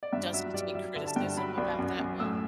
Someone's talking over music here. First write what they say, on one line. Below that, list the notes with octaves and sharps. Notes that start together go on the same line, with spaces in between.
Does he take criticism about that well?
D5
G2 E5
F#3 E5
G3 D5
G3 E5
D3 E5
A5
G2 G5
F#3 B5
C2
F#2
F#2
A2 E6